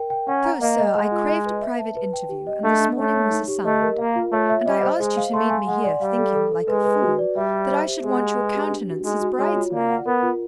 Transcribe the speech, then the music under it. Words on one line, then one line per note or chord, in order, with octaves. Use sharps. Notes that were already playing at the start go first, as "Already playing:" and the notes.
So, sir, I craved a private interview, and this morning was assigned; and I asked you to meet me here, thinking, like a fool, that I should want your countenance as bride's-man.
Already playing: A#4 G5
G5
C#4 F#5
A#5
A#3 D#5
D#5
G#3 F#5
F4
D#5
B4
E5
A5
B4
G5
G4
D#5
A3 D4
D4
A3 C#5
C#5
D#4
G4
A3 D#5
A#4
A#3 F5
F4
A3 C#5
E5
G3 D#5
C5
G#3 G#4
F5
A3 C6
G#5
G#3 F#5
D5
G3 F5
A4
A4
A4
G#3 B4
B4
F#4
D5
G3 E5
E5
C5
G4
G#3 G#4
F#5
B4
G4
D4
F#4
G#3 D#4
F#4
G#3 C#5
F4
A#3 D5
F#5
B3 A#4
F4